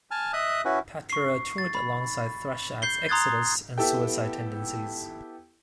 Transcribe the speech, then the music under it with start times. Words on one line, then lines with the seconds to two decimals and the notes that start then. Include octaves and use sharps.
Pantera toured alongside thrash acts Exodus and Suicidal Tendencies.
0.11 G#5 A5 F6
0.33 D#5 E5 D#6 F#6
0.65 C#4 E4 F#4 B4
1.10 C#6 C7
1.58 A6
1.75 B5
2.82 G6 C7 G7
3.09 A#5 C6 D#6 F#6 G#6 A6
3.78 B3 E4 G4 A4 G5